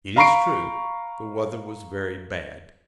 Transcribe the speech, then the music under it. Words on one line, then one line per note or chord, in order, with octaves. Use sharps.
It is true the weather was very bad.
F5 A#5 B5 C#6 C7 D7